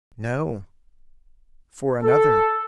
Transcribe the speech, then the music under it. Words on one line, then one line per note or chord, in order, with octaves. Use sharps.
"No; for another."
A4